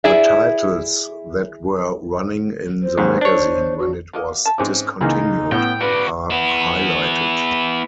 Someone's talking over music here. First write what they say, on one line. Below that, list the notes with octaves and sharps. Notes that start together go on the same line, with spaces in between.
The titles that were running in the magazine when it was discontinued are highlighted.
E4 G#4 D5 E5
C5
D#2 G#2
D4 C#5
F#4
F#3 A#3 D#5
E5 A5
G#2 E3 C4 C#4 D6
C#2 E3 A#3 C#4 D#4 G#4 B5
A2 B3 C#4 C#5 G5
C#3 F#4 B4 D5
B3 E4